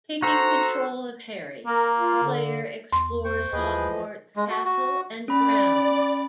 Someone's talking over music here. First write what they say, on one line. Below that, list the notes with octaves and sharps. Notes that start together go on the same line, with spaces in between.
Taking control of Harry, the player explores Hogwarts castle and grounds.
F#4 A4 C5 A#5
A#3 A#4
F4
D3
E2 C6
C5 G5 C#6
D#2 E3 F3 G#4 B4 D#5 G5
G#3
F#4
F#4
C#4 D5 B5